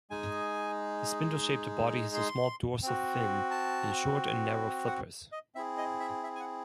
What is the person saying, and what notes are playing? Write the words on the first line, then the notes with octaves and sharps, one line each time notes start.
The spindle-shaped body has a small dorsal fin and short and narrow flippers.
G#3 D#4 G#4 G#5
C6
C4 F#4
A5
F#5
D#5
C4 E4 G#4 E5
D#5
E5
E5
G#5
F#5